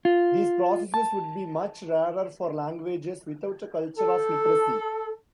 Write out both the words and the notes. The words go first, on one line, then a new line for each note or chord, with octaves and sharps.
These processes would be much rarer for languages without a culture of literacy.
F4
A5
A4